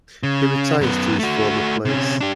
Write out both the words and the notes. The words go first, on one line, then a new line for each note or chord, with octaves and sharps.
He retires to his former place.
C#3
F#2 B3
A3 F#4
C3 C#4
D4 G4